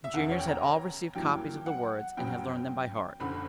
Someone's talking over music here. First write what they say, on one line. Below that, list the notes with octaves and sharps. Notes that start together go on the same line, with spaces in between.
The juniors had all received copies of the words and had learned them by heart.
E5
E1 E2 C#3 F#5
C#5
G5
A#5
A#5
G2 F#3 A#3 C#4 E4 G5
F#5
F#1 F#2 C#3 F#3 B3 G5
F#1 F#2 D3 B5